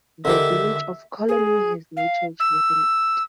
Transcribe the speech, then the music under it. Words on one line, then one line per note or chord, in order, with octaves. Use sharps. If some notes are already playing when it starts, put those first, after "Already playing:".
The village of Coolaney has no church within it.
D3 D#3 G4 E5
G#4
F5
E6